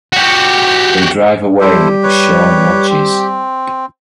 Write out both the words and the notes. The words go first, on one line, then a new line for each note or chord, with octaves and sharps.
They drive away as Sean watches.
F#4 G4
G3 E4 G4 A4 C5
B4 C#5
C4